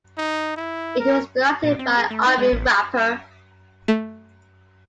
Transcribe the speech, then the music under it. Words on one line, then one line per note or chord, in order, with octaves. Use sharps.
It was directed by Irving Rapper.
D#4
E4
A#4
A#2
C4
G#4
A3
D#4
G#3
A1
A3